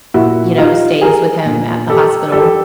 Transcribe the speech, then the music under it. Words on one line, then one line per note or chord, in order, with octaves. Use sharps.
you know, stays with him at the hospital
A#2 E4 F#4
G3 D#4 F4
G3 G#4 A#4
A#2
G3 G4 A4
G3 G4 A4